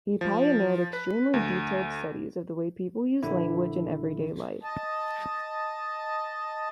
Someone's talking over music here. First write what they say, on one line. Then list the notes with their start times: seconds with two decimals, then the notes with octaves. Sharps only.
He pioneered extremely detailed studies of the way people use language in everyday life.
0.21 F3
0.93 B4
1.34 D2
3.23 A#1 D3 E4
4.63 D#5 A5